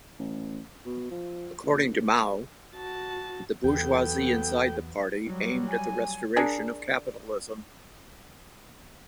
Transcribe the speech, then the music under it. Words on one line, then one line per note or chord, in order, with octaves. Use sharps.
According to Mao, the bourgeoisie inside the party aimed at the restoration of capitalism.
A1
B2
F3
A#1
F#4 A5
E2 F#3 B3 A4 G5
F#3 G3
G#5
D4 G#4 A#4